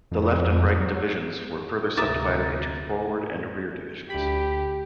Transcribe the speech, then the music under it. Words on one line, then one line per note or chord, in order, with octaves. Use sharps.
The Left and Right divisions were further subdivided into Forward and Rear divisions.
F2
F#3
D2 C3 A#4 E5 A#5 D6 D#6 A6
D2 G4 B5